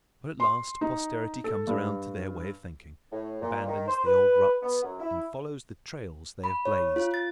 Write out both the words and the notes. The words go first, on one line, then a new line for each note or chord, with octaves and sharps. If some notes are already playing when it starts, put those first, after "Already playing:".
But at last posterity comes around to their way of thinking, abandons the old ruts and follows the trails they have blazed.
C6
D#4
A4
G2
A2
A#2
D#3
C5
B4
B3
F#2
E4
B5
C#5
F4
A6